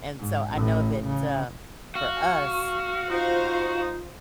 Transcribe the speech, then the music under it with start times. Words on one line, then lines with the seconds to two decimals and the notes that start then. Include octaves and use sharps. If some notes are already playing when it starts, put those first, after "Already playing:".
And so I know that, um, for us,
0.20 G#2
0.51 A1 A2
1.06 C#3
1.95 F#4 F5
3.10 D#4 F4 C5 F5